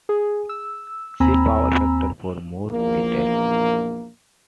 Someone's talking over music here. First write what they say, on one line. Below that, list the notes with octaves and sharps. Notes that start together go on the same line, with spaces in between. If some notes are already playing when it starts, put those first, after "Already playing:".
See Power factor for more detail.
G#4
E6
D#2 C4 G#5 A#5 B5 E6
A#1 E2 A#3